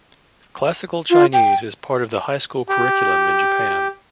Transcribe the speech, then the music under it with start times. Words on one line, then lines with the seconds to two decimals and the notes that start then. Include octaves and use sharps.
Classical Chinese is part of the high school curriculum in Japan.
1.10 F4
1.33 G5
2.69 G4